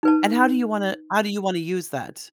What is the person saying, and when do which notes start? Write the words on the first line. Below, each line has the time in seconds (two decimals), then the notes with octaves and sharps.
And how do you wanna how do you wanna use that?
0.03 D#4 B4 A5